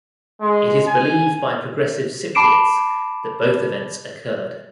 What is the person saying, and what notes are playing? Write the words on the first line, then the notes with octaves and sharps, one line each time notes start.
It is believed by progressive Cypriots that both events occurred.
G#3
G#5
A5 B5 D6 C7 D7 E7